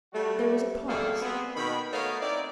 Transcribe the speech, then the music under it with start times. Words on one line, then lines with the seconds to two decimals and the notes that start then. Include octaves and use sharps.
There was a pause.
0.13 G3 A3 F#4
0.88 B2 G3 A3 A#3 G#4 A4
1.21 B3 C4 G#4
1.55 B2 D#3 B5
1.92 A3 B3 A#4 C#5 D#5 F5
2.21 C4 D#4 E4 D5